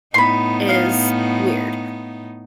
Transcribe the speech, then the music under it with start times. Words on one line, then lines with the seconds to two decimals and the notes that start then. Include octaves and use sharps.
is weird,
0.14 A2 B3 D#4 B5 C6
0.69 F5